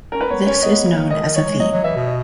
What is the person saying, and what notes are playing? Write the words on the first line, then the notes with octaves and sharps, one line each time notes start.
This is known as a theme.
C#4 A#4
B4
B3 C#5
C#4 C#5
B3 D#5
A#3
D#3 D#5
D#3
C#5
F#3
G#3
F#3 D#5
F#3
E3 E5
B2
D#5